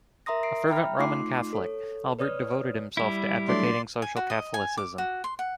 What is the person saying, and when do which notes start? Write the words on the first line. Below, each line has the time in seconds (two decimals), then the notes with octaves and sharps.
A fervent Roman Catholic, Albert devoted himself to advocating Social Catholicism.
0.26 A#4 E5 A#5 C6 D#6 A#6
0.43 C7 D7
0.68 E5 G5 A#5 B5 F6
0.99 A3 D#4 F4 C6 D6 C7
1.53 A4 C#5
2.19 B4 C#5 D5 D#6 F6
2.97 G3 E4
3.48 F#3 A3 D4 D5 C6
4.02 G#5
4.17 F#4
4.30 D#5
4.54 G#5
4.77 D6
4.98 F#4
5.24 C6
5.39 F#5